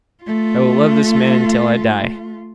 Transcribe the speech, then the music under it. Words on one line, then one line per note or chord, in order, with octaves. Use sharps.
I will love this man until I die.
A3 F4